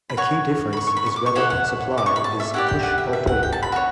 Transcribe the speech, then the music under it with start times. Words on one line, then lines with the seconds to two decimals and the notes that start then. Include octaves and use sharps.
A key difference is whether supply is 'push' or 'pull'.
0.10 B5
0.17 F#4 C#5 C#6
0.73 B5
0.77 C#6
0.87 C#6
0.97 B5
1.06 C#6
1.16 D6
1.26 C#6
1.35 E4 A4 C#5 F#5
1.50 F#5
1.98 D6
2.06 C#6
2.16 B5
2.24 A5
2.40 E5
2.54 E4 G4 D5 F#5
2.68 G5
2.83 F#5
2.98 E5
3.13 E5
3.27 F#5
3.43 G5
3.52 A5
3.63 B5
3.72 F#4 C#5